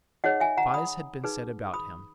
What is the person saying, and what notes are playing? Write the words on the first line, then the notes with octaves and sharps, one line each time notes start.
Spies had been set about him.
D#4 G#4 C#5 D#5 F#5
E5 G#5
F#5 A#5
B5 D#6
D#4 G#4 B4
B5 D#6